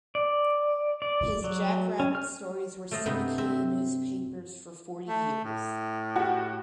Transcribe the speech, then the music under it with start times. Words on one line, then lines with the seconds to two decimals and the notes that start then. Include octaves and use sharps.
His "Jack Rabbit" stories were syndicated in newspapers for forty years.
0.15 D5
1.02 D5
1.44 F#3
2.00 C#4
2.15 F6
2.91 A3 A4 C5 D#5 F5
3.06 G2 C3 B3 D#4
3.38 C4 E5
5.09 A3
5.44 A2
6.16 F#4 G4